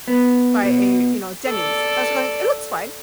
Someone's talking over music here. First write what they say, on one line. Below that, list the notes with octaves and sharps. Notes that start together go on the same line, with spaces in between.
by a, you know, Denny's. I was going, "It looks fine."
B3
B2
A4 D5